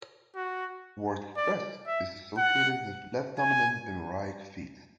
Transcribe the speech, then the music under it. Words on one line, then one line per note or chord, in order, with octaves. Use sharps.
Word stress is associated with left-dominant bimoraic feet.
F#4
D5
E5
F#5
G#5